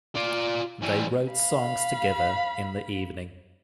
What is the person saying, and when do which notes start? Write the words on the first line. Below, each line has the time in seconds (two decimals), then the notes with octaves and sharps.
They wrote songs together in the evening.
0.15 F4 D5
0.82 E3 G3
1.30 F5 B5